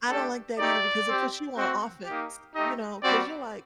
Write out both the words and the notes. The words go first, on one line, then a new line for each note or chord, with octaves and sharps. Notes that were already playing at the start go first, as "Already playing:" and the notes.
I don't like that either because it puts you on offense, you know, 'cause you're like,
A3 D4 G4 A4
A3 D#4 G4 D5
C4 G4
A3 C4 F#4
A#3 D#4 G4
A3 D#4 G4 D#5
G3 C4 F#4 D5